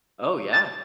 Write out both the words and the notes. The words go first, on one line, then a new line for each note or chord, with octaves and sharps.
Oh, yeah,
A6